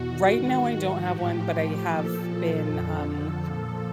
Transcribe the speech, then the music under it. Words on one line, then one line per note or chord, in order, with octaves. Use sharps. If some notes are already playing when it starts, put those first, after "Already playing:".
right now, I don't have one, but I have been, um
Already playing: E2 B2 F#4
G#2 D#3
A2 F3 G4
A#2 F3 A4
F2 D3 F3
A#2 F3